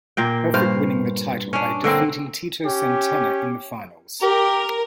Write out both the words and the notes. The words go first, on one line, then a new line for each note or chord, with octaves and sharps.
Perfect winning the title by defeating Tito Santana in the finals.
A#2 A#3 G5
G2 C5 F5
C#4 D4
D3 A#3 C4
C#4 G4
G4 A#4